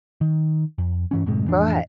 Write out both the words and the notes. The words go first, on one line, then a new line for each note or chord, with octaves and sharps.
Go ahead.
D#3
F2
G2 E3 C#4
F#2 A2 C3 G#3
A1 F2 E3 D4